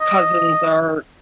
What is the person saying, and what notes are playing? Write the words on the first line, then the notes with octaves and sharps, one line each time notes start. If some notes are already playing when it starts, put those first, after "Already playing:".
cousins are
D#5